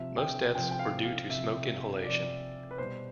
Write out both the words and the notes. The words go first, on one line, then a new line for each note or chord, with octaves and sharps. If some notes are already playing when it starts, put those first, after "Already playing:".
Most deaths were due to smoke inhalation.
Already playing: C3 F3 E5
G5
C3 F3 G5
G5
F5
F5
C3 F3 E5
C3 F3 D5
B4
B2 G3 C5